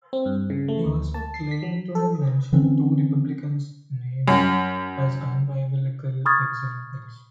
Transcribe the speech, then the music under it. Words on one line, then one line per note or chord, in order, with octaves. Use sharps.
He also claimed to have "mentioned two Republicans' names" as unbiblical examples.
C4
G2
C#3
A3
D2
A5
C7
B6
F#3
A4
D3 E3 C4 C#4
F#2
B5 C#6 D#6 F6 G#6 A6